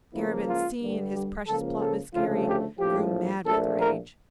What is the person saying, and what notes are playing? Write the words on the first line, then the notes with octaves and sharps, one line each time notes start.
Garabin, seeing his precious plot miscarry, grew mad with rage.
C#2 C#3 F3 A#3 E4
F4
G2 D3 G3
G4
C#2 C#3 F3 A#3 A4
A4
D2 C#3 F3 A3 F4
G4
A#1 A2 F3 G4
A#1 A#2 A3 A4
A#4